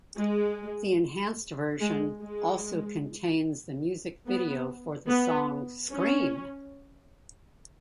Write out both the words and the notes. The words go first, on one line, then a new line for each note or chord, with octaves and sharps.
The enhanced version also contains the music video for the song Scream!
G#3
G#3
G#3
B3
B3
C#4